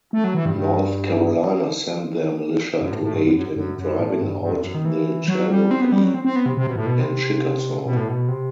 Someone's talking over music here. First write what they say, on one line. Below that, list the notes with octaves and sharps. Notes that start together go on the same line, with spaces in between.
North Carolina sent their militia to aid in driving out the Cherokee and Chickasaw.
A3
F#3
E3
G2
G2
F#2
A2
A2
G2
F#2
F#2
F#2
F#2
A2
G2
G2
E2
F#2
D#3
E3
F#3
G3
C4
B3
G3
F#3
C4
C4
B3
C3
C3
B2
A2
B2
C3
B2
A2
B2
C3